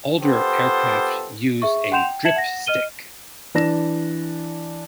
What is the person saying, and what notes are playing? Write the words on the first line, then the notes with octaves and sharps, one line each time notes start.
Older aircraft use a dripstick.
B3 F4 G4 A4 C5
G#4 E5 C#6
F#5 G5 C6 G6 E7 F7
G5
E5 A5 G#6 C#7 E7 F#7
F#5 A#6
D#5 F6 D#7 G7
E3 D4 A#6 E7